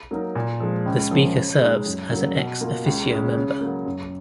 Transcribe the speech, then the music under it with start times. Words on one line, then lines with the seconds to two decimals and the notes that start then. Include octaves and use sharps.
The speaker serves as an ex officio member.
0.11 F#3 A#3 D#4 A#4
0.35 A#2
0.60 F3 G#3
0.86 C#2
1.11 C#3 F3 A#3
1.36 C#3
1.61 G#3 D#4
1.86 F#2
2.11 C#3 F#3 A#3
2.35 B2
2.61 A#3 F4
2.86 C#2
3.11 C#3 G#3 C#4
3.36 C#3
3.61 F#3 A#3
3.86 F#2